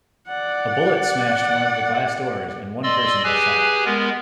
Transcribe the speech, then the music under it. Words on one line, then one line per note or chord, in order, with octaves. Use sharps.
A bullet smashed one of the glass doors and one person was shot.
D5 F#5
D5 D#5 C6 E6
G4 G#4 B4 G#5
G#3 B3 A#4